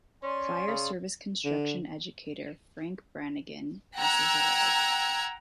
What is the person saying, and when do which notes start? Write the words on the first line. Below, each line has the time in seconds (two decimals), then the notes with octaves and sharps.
Fire service construction educator Frank Brannigan passes away.
0.23 C#4 D5 G#5 C6
0.67 C#3
1.45 D3
3.97 F#5 G5 A#5 E6 F#6 G#6